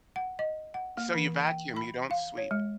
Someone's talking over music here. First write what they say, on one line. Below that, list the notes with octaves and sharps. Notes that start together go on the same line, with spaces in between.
So you vacuum, you don't sweep.
F#5
D#5
F#5
A#3
E3
G5
B5
F5
C#5
G#3